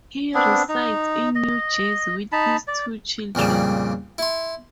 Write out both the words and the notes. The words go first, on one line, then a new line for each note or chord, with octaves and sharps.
He resides in New Jersey with his two children.
B3 C4 D4
D#4
D#5
D#4 A5 B5
D5
F2 A#2 C#3 G3
E4 C6